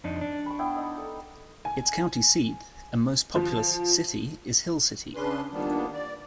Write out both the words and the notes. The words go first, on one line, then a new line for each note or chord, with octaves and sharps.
Its county seat and most populous city is Hill City.
F2 D4 D#4
D4
B5 C#6
B3 E4 G5
D#4 D5
A4
G#5
F3
C#3 C#4 D4 B4 C6
D#3 F3 G3 A#3 B3 D4
D5